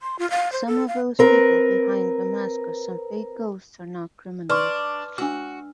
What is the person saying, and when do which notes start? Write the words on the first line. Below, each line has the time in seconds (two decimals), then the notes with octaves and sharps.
Some of those people behind the mask of some fake ghosts are not criminals.
0.01 C6
0.19 F4
0.30 F5
0.52 C5
0.67 A4
0.88 F5
1.19 C4 A#4 B4
4.49 D4 B4 C6 C#6 F6
5.18 D4 F#4 E6